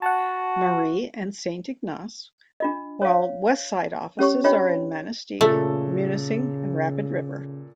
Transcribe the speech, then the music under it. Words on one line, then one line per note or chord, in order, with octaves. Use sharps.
Marie and Saint Ignace, while Westside offices are in Manistique, Munising, and Rapid River.
F#4 F#5 A5
D4 F4 D#5
C#5 F5
C#4 G4 C#5 C#6
D4 F4 C#5 D#5 G5
A#2 C#3 A3 A4